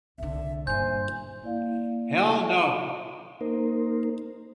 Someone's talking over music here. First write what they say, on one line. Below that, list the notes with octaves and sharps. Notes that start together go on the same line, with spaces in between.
Hell no!
C2 D3 E5
G2 A#2 C5 G#5 G6
A#3 E4 D5 F5
A#3 D#4 A#4 C5